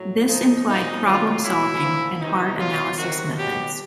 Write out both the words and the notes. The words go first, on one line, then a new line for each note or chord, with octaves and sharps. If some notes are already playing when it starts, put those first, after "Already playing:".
This implied problem-solving, and hard-analysis methods.
Already playing: A2 F#3
C#3 F3 D#4
A#2 F3 D#4
C3 D#3 F#3 F4
B2 F#3 E4
A#2 F3
C3 E3 D#4
B2 F#3 F4
C3 D#3 F#3 F#4
B2 F#3 G4